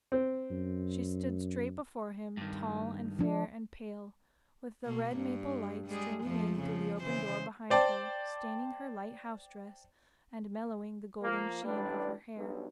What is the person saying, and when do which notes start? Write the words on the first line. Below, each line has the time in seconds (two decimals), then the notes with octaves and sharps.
She stood straight before him, tall and fair and pale, with the red maple light streaming in through the open door behind her, staining her light house-dress and mellowing the golden sheen of her hair.
0.12 C4
0.51 F#2
2.37 G2 D#3
3.19 F3 D4
4.84 B2 A#3
5.16 G2
5.87 G3 G#3 G#4
6.24 F2 F3 A3
6.60 C#3 F3
7.03 C#3 E3 C5
7.70 C5 D5 G5 A5
11.21 F3 A#3
11.64 A1 G3 D4 B4
12.37 B1 G2